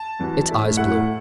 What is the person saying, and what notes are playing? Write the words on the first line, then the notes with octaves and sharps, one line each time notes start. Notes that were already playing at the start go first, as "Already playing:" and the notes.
Its eyes blue.
Already playing: A5
E2 E3 B3 F#4
A2 A3 E4
A2 A3 E4 F#5